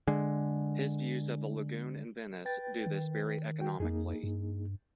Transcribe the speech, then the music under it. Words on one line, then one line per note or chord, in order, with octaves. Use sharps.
His views of the lagoon in Venice do this very economically.
D3 G#3
B4 G5 A6
D#3
F#4 G5
F2 A#3 D#4 G#4
G2